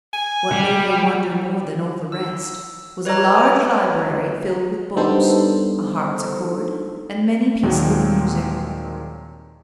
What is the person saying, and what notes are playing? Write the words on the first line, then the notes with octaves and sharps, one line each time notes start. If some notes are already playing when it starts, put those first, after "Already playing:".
What made her wonder more than all the rest, was a large library filled with books, a harpsichord, and many pieces of music.
G#5
G3
E6
B4 C#5 D#5 A#5
G3 B3 D4 D#4 A4 C5
D#2 A#2 D#3 F#3 G#3 C4